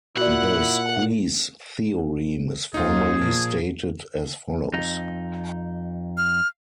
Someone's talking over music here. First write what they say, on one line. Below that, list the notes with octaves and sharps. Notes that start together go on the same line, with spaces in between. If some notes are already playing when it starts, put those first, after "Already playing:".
The squeeze theorem is formally stated as follows.
A#2 E4 F#4 D5 F#5
D#2 D#4 F4 G#4
A#2 F3
F2 D#4
F6